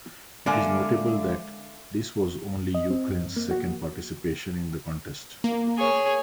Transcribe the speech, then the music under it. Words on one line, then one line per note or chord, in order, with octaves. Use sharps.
It is notable that this was only Ukraine's second participation in the contest.
D3 G#3 A#3 E5 G#5
F#2
D#5
C4
F#2
G2
A#3
F#4
A#3
G#4 C#5